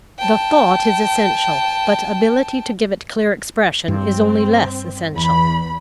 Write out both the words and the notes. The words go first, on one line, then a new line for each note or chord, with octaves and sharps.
The thought is essential, but ability to give it clear expression is only less essential.
G5 A5
G2 C4
E2 B5